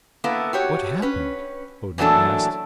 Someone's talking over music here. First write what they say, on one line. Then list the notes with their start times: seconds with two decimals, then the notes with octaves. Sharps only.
"What happened?" Odin asked.
0.24 A#3 B3 E4 A4
0.53 F#4 G4 C#5
1.02 C#4 B4
1.98 A#2 E3 F#3 A3 D4 A4